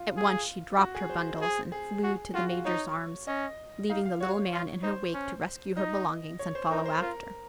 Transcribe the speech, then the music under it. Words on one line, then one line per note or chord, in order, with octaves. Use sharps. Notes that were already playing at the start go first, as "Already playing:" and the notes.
At once she dropped her bundles and flew to the Major's arms, leaving the little man in her wake to rescue her belongings and follow after.
Already playing: F4
G#4
F#4
G#4
C5
G#4
G#4
F#4
F4 F#4
F4
D#4 C#5
C#4 D#5
D#4 F5
F5
F#4 C#5
F4
D#4 C5
C#4
D#4 D#5
C#5
C5
D#4 A#4
C5
F4 A#4